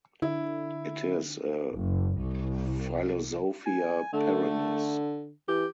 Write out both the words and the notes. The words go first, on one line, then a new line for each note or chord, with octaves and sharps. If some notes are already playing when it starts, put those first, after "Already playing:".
It is a philosophia perennis.
D3 E4
F#1
C2
G#5
D3 A3
E3 G4